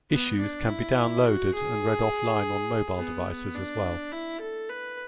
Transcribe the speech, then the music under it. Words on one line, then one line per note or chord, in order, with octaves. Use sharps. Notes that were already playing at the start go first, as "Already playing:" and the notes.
Issues can be downloaded and read offline on mobile devices as well.
B3
D4
E4
F#4
G#4
B3
D4
E4
A4
B4